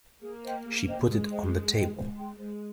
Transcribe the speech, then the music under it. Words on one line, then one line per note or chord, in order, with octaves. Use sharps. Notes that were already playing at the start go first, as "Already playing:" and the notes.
She put it on the table.
A#3 G#4
C5 D#5 G5
G#4
C5 D#5 G5
G#3 G#4
C5 D#5 G5
G#4
C5 D#5 G5
G#3 C5
G5 C6
G#3 C5